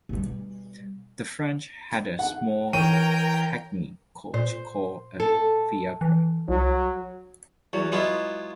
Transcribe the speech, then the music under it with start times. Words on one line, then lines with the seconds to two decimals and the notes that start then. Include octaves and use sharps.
The French had a small hackney coach called a "fiacre".
0.09 B2 G3
2.19 F#5
2.73 E3 A#4 C#5 G5 D#7
4.34 A#2 C5
5.20 A4
6.01 E3
6.48 C2 F#3
7.73 E2 F#3
7.92 F#3 G#3 B3 E4 F4